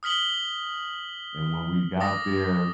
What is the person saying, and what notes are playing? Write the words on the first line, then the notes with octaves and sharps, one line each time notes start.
And when we got there,
D#6 F6 B6 F#7 G7
D6 D#6 A6 A#6